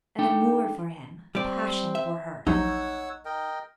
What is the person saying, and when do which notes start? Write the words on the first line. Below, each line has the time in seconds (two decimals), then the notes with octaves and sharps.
An amour for him; passion for her.
0.19 D4 D#4 A4 G5
1.35 G3 C4 D5
1.95 E5
2.47 A#1 D#2 F#3 D#4 C#5 F#5 E6
3.25 A#4 D#5 G5